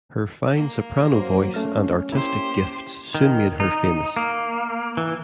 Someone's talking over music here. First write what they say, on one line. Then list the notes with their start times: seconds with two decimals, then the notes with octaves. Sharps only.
Her fine soprano voice and artistic gifts soon made her famous.
0.56 A#3
1.14 F#2 F#3 C5
1.54 A3 C#4 F6
2.12 A#3 E4 G4 C5
3.15 D#3
3.60 D#4
4.17 A#3
4.97 E3